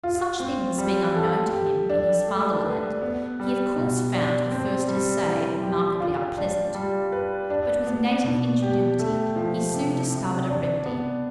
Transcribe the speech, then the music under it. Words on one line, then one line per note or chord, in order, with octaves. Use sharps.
Such things being unknown to him in his fatherland, he of course found the first essay remarkably unpleasant, but with native ingenuity he soon discovered a remedy.
F4
C4
G3
A4
G4
D4
A3
B4
B3
G3
B2
D4
C4
G3
E3
G4
F4
D4
G3
B4
D4
B3
B2
G4
A3
F3
C3
C3
D4
B3